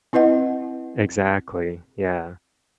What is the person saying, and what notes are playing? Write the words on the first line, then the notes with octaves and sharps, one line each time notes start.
Exactly, yeah.
C4 E4 B4 D#5 F#5